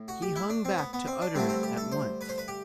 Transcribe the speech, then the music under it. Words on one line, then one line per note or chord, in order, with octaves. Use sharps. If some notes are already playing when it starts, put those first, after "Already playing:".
He hung back to utter it at once.
Already playing: A2
F#4
G4
E4
D4
C4
B3
B3
C4
D4
G2 D3 A3 C4
C4
G4
A4
C5
B4
C5
B4
G4